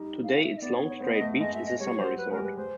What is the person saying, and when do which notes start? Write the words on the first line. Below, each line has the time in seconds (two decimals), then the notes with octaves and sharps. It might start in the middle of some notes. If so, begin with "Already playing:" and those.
Today its long straight beach is a summer resort.
Already playing: G3 D#4
0.24 F5
0.35 F5
0.43 E5
0.57 D#5
0.62 B3 D5
0.75 C#5
0.88 C#5
1.01 B3 C5
1.14 D#5
1.21 A3
1.40 G#3 D#5
1.54 E5
1.66 D#5
1.79 G3 C#5
1.98 F#3 C5
2.18 B4
2.31 G#3 A#4
2.37 G3
2.44 B4
2.57 G#3 C5